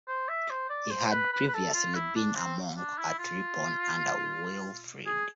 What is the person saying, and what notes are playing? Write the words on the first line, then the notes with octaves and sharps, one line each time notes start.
He had previously been a monk at Ripon under Wilfrid.
C5
E5
C5
D5
C5
B4
B4
B4
A4
F4
E4
D4
C4
D4
E4
F4
G#4